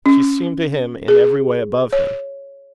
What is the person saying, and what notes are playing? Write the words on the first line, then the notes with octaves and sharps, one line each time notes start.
She seemed to him in every way above him.
C#4
G#4
C#5